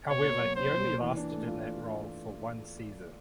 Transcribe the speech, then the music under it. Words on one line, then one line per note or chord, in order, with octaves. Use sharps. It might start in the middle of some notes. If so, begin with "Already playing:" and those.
However he only lasted in that role for one season.
B2 C#5
A#3
F#3
C#4 C5
B2
A#3
E3
D4
A3
F4